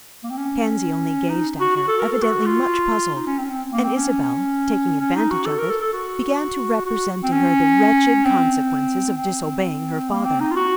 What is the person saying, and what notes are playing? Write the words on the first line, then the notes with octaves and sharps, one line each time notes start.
Pansy only gazed at her, evidently much puzzled; and Isabel, taking advantage of it, began to represent to her the wretched consequences of disobeying her father.
A#3
C4
C#4
D#4
F#4
F#4
A4
A#4
A4
F#4
F4
D#4
C#4
C4
C#4
C4
A#3
C4
C#4
C#4
D#4
F#4
A4
A#4
A4
A4
F#4
F#4
C4
C#4
C4
C4
A#3
C4
D#4
F4
F#4